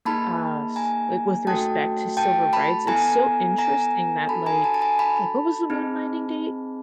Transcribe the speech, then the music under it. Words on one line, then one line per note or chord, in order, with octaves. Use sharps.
uh, c like, with respect to civil rights, it's so interesting that, like, like what was the moon landing date?
A#3 D#4 G#4 A5 B5
G#5 A#5
A3 C#4 F#4 A4 G5 A5
G5 A5
A5 B5
B3 E4 A4 G#5 A#5
G#5 A#5
D4 F#4 A4 A5 B5
G#5 A#5
A5 B5
A5
G#5 A#5
A5 B5
C4 D#4 G#4